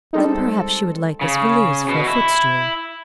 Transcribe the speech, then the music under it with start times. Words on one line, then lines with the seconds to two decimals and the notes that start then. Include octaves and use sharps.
Then perhaps she would like this valise for a footstool?
0.13 G3 G#3 C4 D#4 A4
1.21 C#3
1.89 B2
2.07 E4